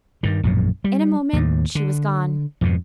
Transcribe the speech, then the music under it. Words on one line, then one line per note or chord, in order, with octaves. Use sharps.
In a moment she was gone.
G2 D#3
A#1 F#2 A2
G3
D#2 A2
D3
F2 G#2 B2